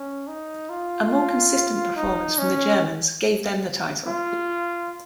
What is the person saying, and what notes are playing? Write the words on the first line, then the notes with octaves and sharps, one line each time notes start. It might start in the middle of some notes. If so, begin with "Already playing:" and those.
A more consistent performance from the Germans gave them the title.
Already playing: C#4
D#4
F4
D#4
C#4
F4